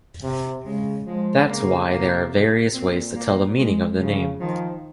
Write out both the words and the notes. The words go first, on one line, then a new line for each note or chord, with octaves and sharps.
That's why there are various ways to tell the meaning of the name.
C3
C#3 G#3
F3 G#3
C#3 A#3
C3 A#3
A#2 C4
A#3
G#3
C#3 F3
D#3 F3